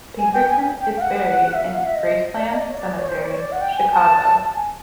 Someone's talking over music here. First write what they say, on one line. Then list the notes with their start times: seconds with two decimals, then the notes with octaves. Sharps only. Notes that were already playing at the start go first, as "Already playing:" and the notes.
Pinkerton is buried in Graceland Cemetery, Chicago.
0.19 G#5
0.33 G5
0.49 G#5
0.81 G5
0.97 F5
1.02 F#5
1.54 E5
1.64 F5
1.75 F#5
1.84 E5
1.95 D#5
2.37 D5
2.52 D#5
2.61 D5
2.69 C#5
2.77 D5
2.99 C#5
3.09 C5
3.20 D5
3.30 C#5
3.40 D5
3.52 F#5
3.61 G5
3.76 G#5
3.92 A5
4.55 G#5